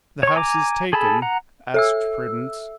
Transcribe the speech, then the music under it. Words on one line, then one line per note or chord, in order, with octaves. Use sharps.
"The house is taken?" asked Prudence.
C#5 C#6
G#5 A#5 D6
G#4 A4 A5 B5
F#5 A#5
A4 E5 E6